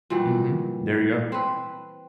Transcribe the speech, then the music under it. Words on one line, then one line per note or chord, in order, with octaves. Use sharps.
Mhm. There you go.
A#2 E3 F#3 G3
C4 B4